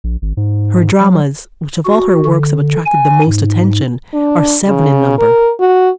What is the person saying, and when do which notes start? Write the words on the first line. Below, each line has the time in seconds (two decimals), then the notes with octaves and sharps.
Her dramas, which, of all her works, have attracted the most attention, are seven in number.
0.04 A#1
0.22 G#1
0.37 G#2
1.01 F#3
1.85 F#4
2.25 D3
2.86 G#5
3.25 G#2
4.13 D4
4.67 C#3
5.18 A#4
5.60 F#4